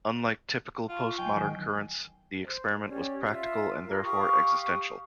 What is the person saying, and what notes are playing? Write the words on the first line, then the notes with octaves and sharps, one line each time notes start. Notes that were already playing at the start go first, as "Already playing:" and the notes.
Unlike typical postmodern currents, the experiment was practical and therefore existential.
F4 F#5 A5 C#6
B1 G5 G#5 C7
D#3 F#3 D#4
C5
C#4 G4 C#5 D5
F4 E5
F4 A#4
G4 F5 C#6 D#6